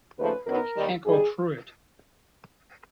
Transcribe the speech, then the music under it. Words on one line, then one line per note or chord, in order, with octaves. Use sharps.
You can't go t'rough it.
D#2 C#3 F3 A3 C#4 B4
F#2 D#3 F#3 B3 D#4 A#4
D#2 D#3 G3
G#2 D#3 G3 G#4